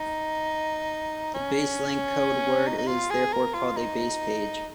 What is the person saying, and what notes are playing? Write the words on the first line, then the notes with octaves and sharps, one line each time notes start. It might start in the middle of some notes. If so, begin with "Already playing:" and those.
The base link code word is therefore called a base page.
Already playing: D#4
C#4
D#4
D#4
F4
G#4
A#4
F4
D#4